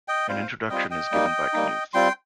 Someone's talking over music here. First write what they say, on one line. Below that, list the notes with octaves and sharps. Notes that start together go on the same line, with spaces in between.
An introduction is given by Knuth.
D#5 G5
G3 C4 F4 C5 F5
G3 C4 F4 D#5 G5
D#5 G5
G3 A#3 D#4
G3 A#3 D#4
G3 C4 F4 G5 C6